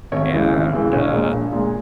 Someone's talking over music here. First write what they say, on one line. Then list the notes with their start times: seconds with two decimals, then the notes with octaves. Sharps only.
and, uh,
0.12 G#1 C#5
0.32 F#2 C#3 E3 G#3
0.52 G#1
0.72 F#2 C#3 E3 G#3
0.93 A#1 C#5
1.12 A#2 G#3
1.33 A#1
1.52 A#2 G#3